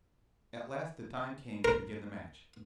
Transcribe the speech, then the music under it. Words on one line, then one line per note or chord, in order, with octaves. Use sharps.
At last the time came to begin the match.
A#4